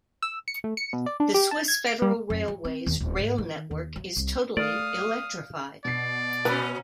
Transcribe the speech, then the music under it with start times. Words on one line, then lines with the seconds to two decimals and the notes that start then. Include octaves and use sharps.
The Swiss Federal Railways rail network is totally electrified.
0.22 E6
0.48 C#7
0.64 A3
0.77 C#7
0.93 B2
1.06 D5
1.20 D4
1.34 G4
1.51 A5
1.68 G#6
1.87 D7
2.02 G3
2.30 F2
2.48 F#3
2.65 C4
2.87 D#2
3.00 D1
3.19 G#2
3.38 D#3
3.71 D#2
3.96 F#3
4.17 C2
4.57 A3 D5 F5 D#6
5.85 B2 D5 C7
6.45 A#2 C#4 B4